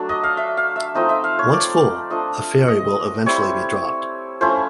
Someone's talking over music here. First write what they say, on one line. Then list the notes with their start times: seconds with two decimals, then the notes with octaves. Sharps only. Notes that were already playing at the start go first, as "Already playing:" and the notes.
Once full, a fairy will eventually be dropped.
Already playing: F#3 A3 D4
0.09 D#5
0.24 F5
0.37 E5
0.57 F5
0.76 E5
0.95 F3 A3 C4 D#4 D#5
1.09 E5
1.24 F5
1.39 C#5
1.53 D5
2.10 F3 A3 D4 D#5
2.68 D#5
3.26 G3 C4 E4 C#5
4.41 F3 A3 C#4 E4 C5